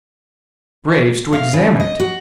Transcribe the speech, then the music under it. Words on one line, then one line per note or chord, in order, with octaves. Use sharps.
Graves to examine it.
F5
C#3
D#5
F#4